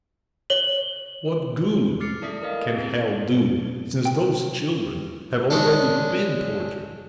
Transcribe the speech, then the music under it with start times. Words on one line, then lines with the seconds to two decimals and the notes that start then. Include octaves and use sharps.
What good can hell do, since those children have already been tortured?
0.50 C#5 F#7 G7
2.00 D6 F6 A6 C7 C#7
2.22 E4 A4 D5 E5 D#6 B6
2.42 A#4 B4 D#5 F5
2.70 C4 E4 G#4
4.05 G5
5.50 G#3 C#4 D4